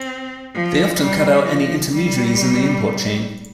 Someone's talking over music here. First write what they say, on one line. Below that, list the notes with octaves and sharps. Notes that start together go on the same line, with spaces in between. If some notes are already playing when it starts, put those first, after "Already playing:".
They often cut out any intermediaries in the import chain.
Already playing: C4
F3
G3
F3
G3